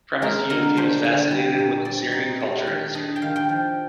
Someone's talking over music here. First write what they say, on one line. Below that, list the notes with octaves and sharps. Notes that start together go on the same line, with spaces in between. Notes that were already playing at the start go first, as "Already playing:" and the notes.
From his youth, he was fascinated with Assyrian culture and history.
G#3 A#4
D3 A#4
D4 C5
D3
G3
A#2
C4 D5
D#4
G3
D#3
D4 D#5
G5
D#3 F5
G5
F3